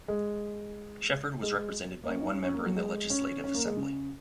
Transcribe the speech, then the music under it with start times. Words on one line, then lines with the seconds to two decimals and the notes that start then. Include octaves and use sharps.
Shefford was represented by one member in the Legislative Assembly.
0.08 G#3
1.43 G#3
2.04 A#3
2.09 C#4
2.21 D#4
2.32 C#4
2.43 C#4
2.54 A#3
2.66 F#3
2.77 G#3
3.10 C#4
3.44 C#4
3.54 A#3
3.66 G#3
3.77 C#3